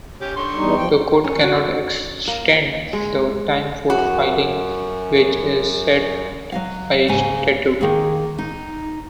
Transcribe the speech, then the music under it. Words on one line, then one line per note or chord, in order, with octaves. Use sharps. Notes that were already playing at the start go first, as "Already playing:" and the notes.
The Court cannot extend the time for filing which is set by statute.
C#4 G4
D3 C6 C#6
E2 G3 D#4
F3 G5
C#4
F#4
A#3
G#3
F#2 F#4
F#3 D#5 F5
G#2 C#3 A#3 G#5
D#3 A#3 G#4
D#4